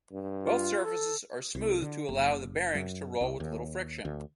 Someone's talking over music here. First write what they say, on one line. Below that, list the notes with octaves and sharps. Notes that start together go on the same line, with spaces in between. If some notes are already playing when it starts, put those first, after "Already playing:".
Both surfaces are smooth to allow the bearings to roll with little friction.
G2
F4
A4
C2
D3
F#1
F#2
C2
D#2
D2